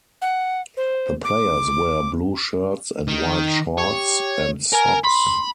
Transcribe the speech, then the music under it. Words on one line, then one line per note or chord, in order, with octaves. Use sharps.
The players wear blue shirts and white shorts and socks.
F#5
C5
D6
D#3
G4 C#5
A#4 G#5 A#5
B5 C6